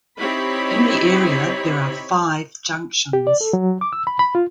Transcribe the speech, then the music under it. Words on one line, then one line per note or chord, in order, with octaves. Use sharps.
In the area there are five junctions.
C4 D#4 E4 G4 C#5 B5
G4
D5
A4
F#3
D6
E6
B5
B5
F4